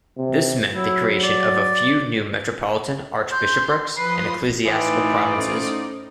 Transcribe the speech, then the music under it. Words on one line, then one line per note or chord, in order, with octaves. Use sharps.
This meant the creation of a few new Metropolitan archbishoprics and ecclesiastical provinces.
C3
F#3 E4
D5
C6 G6
F3 B4 C6 D#6 C7
A2 E3 D#4 F4 B4 D5 D#6
C#4 A4 C5